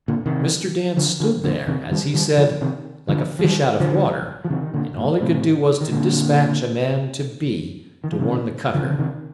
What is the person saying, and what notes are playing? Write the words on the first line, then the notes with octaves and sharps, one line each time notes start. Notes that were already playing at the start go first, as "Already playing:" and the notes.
Mr. Dance stood there, as he said, "like a fish out of water," and all he could do was to dispatch a man to B---- to warn the cutter.
A#2 D3
C3 D#3
D3 F3
D3 F3
A#2 D3
C3 D#3
D#3 G3
D#3 G3
D3 F3
C3 D#3
D3 F3
F3
D#3 G3
D3 F3
F3
C3 D#3
D#3
A#2 D3
G2 A#2
A2 C3
D#3
A#2 D3
D#3
F3
C3 D#3
D3 F3
C3
D3
C3 D#3